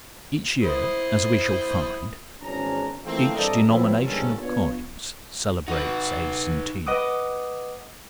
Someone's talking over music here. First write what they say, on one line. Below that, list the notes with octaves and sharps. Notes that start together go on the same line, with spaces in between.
Each year, as we shall find, each denomination of coins celebrates a centenary.
E4 C5 D#6
G#1 E2 C#4 D4 A#5
E3 F3 A3 A#3 C4
G2 C3 A4 D5 D#5 A#5
F3 F#3 B3 C4 E4
G1 D#2 G#2 D#3 C#4 A4
B3 D4 F4 C#5
D#4 F#4 B4
B4 D#5 F#5 D6 D#6